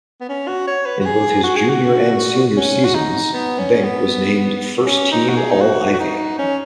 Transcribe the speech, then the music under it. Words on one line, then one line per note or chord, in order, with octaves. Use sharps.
In both his junior and senior seasons, Behncke was named first team All-Ivy.
B3
C#4
F#4
C#5
B4
F#4
G#4
F#4
G#4
F#4
C#4
F#4
D#4
B3
C#4
B3
C#4
D#4
F#4
G#4
D#4
F#4
F#4
D#4
C#4